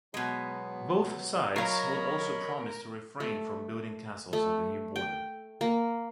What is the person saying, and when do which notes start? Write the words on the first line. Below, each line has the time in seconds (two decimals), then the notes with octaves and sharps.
Both sides would also promise to refrain from building castles on the new border.
0.14 B2 F#3 G#3 B3
1.56 F#3 A#4 C#5 D#5 F5 B5
3.20 A3
4.33 A3
4.96 G5
5.61 A#3